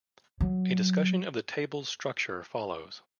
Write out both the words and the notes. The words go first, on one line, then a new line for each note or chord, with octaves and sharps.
A discussion of the table's structure follows.
F#3